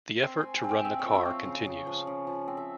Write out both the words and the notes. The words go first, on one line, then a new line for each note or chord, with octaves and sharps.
The effort to run the car continues.
C4 C6
C4 G#5
G#5
C4 G5
C4 E5
C#5
F3
E5
C4
F5
C#3
C#3
F3
C#3
F3
C4
E5